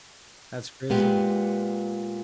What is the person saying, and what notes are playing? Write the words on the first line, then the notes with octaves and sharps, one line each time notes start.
That's crazy.
A#2 G#3 B3 G4